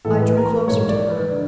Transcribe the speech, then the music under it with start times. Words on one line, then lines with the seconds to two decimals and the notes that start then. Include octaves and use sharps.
I drew closer to her.
0.05 A2 E3 A4
0.20 B4
0.37 A#4
0.52 B4
0.68 G#2 E3 C#5
0.89 D5
1.10 B4
1.31 D3